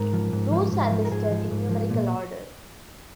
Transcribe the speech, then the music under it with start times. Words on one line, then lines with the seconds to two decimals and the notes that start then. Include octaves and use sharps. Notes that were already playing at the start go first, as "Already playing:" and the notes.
Routes are listed in numerical order.
Already playing: G#2 A#4
0.13 F3
0.33 G#2
0.52 F3
0.72 G#2
0.92 F3
1.05 A#4
1.11 G#2 G#4
1.31 F3
1.51 G#2
1.71 F3
1.90 A#2